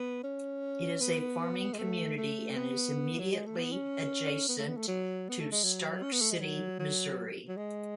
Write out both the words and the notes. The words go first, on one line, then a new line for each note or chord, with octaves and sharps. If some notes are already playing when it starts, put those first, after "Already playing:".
It is a farming community and is immediately adjacent to Stark City, Missouri.
Already playing: B3
C#4
B3
G#3
A3
A3
B3
F#3
G#3
A3
B3
C#4
B3
A3
B3
A3
F#3
B3
A3
G#3
F#3
C#4
B3
A3
G#3
F#3
F#3
F#3
G#3